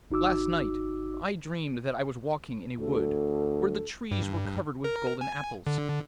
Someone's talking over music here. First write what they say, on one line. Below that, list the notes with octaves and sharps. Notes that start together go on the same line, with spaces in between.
Last night I dreamed that I was walking in a wood, where the trees were covered with golden apples.
G#1 D#4 F#4 D6 E6
D2 A4
G2
A#4
G#5
D3